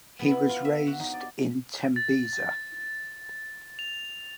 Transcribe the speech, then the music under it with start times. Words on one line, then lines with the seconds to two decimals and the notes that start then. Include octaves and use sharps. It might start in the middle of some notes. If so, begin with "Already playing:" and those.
He was raised in Tembisa.
0.19 B3
0.31 E4
0.49 F4
0.65 E5
0.87 F#4
1.00 D#4
1.13 D5
1.96 A6
3.79 F7